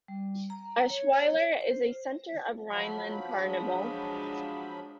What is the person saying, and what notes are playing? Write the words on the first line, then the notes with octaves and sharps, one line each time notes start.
Eschweiler is a center of Rhineland carnival.
G3
A#5
C#5
C5
F3 F#3 B5
G#3 D4